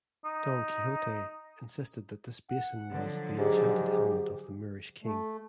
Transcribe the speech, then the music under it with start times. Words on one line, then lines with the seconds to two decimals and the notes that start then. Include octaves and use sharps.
Don Quixote insisted that this basin was the enchanted helmet of the Moorish king.
0.25 D#4
2.49 F#5
2.93 D3 F3 F#3
3.38 G#2 G4 G#4
5.04 A3